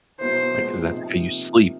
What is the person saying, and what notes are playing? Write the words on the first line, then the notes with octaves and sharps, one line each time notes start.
Like, 'cause that's how you sleep.
B2 F#3 B3 E4 C5
A#2 F3 G#3 B3
C3 F3 A#3 D#4